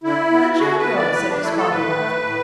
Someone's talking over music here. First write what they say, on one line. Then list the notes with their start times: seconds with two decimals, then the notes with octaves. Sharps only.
"Let Joe go," said-his father, laughing.
0.04 D3 E4
0.32 B3
0.53 E4
0.59 D3 F#4
0.78 B4
0.87 B3
0.96 D5
1.15 A2 B4
1.29 D4
1.42 A3 E4
1.57 A4
1.71 A2 B4
1.98 A3
2.26 A2